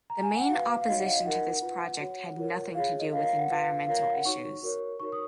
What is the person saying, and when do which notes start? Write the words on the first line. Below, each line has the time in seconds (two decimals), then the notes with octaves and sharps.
The main opposition to this project had nothing to do with environmental issues.
0.10 A#5
0.23 G#5
0.37 F#5
0.49 F#4 B4 F5
0.81 F5
0.88 D#4 F#4 C#5 D#5
0.97 F#5
1.06 F5
1.16 D#5
1.25 D#4 F#4 A#4 F#5
1.62 F4 B4
2.00 F#4 C#5
2.37 F4 A#4 C#5
2.75 F4 G#4 C#5 F5
2.99 D#5
3.13 F4 A#4 C#5 F5
3.26 F5
3.38 F#5
3.50 F4 B4 F5
3.87 F4 A#4 C#5 F5
4.00 F5
4.13 F#5
4.25 D#4 F#4 C#5 C#6
4.62 F#4 A#4 C#5
5.00 D#4 F#4 A#4 C#5 C#6
5.12 D#6